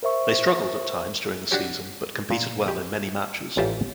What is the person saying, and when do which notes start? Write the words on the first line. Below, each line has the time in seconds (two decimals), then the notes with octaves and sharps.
They struggled at times during the season but competed well in many matches.
0.03 A#4 C5 E5 C#6
1.51 D4 F#4 G4 C#5
2.31 A#2
2.68 G4
3.57 A1 G#2 F4 G4 D5 E5